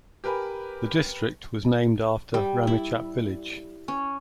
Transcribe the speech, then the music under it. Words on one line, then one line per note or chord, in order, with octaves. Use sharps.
The district was named after Ramechhap village.
G4 A#4 B4 G#5 B5
G3
E4
C#4